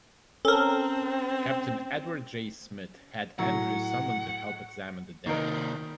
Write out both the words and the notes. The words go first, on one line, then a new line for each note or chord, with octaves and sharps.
Captain Edward J. Smith had Andrews summoned to help examine the damage.
C4 C#4 A4 A#4
A2 F#3 F#5
C3 D#3 A#3 D#4 A#4